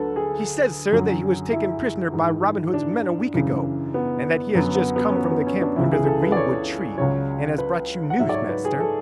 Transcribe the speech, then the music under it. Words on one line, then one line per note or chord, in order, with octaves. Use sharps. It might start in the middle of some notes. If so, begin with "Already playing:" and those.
"He says, sir, that he was taken prisoner by Robin Hood's men a week ago, and that he has just come from the camp under the greenwood tree, and has brought you news, master."
Already playing: D2 D3 F#3 A4 B4
G#4
F#2 D3 F#3
E4
G#2 E3
D4
F#2 C#3 E3
B3
F#2 D3 F#3 B3
B3
B3
C#4
B3
B3
C#4
D4
C#2 C#3 E3 E4
G#4
A4
B4
D5
C#5
C#2 C#3 F#3 C#5
B4
F#5
G#2 F#3 E5
D5
C#5
B4
G#4
A4